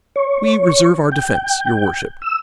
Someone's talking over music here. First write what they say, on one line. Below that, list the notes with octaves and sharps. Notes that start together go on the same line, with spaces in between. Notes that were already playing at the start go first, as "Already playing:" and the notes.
"We reserve our defence, your worship."
C#5
G5
E6